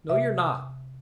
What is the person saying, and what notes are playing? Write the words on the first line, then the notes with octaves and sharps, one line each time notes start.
"No, you're not."
C3 E5